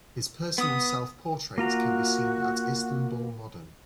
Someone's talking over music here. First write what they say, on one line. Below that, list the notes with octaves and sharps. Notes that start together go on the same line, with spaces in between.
His personal self-portrait can be seen at Istanbul Modern.
B3 D#6
A#3 F4 F#4 A#5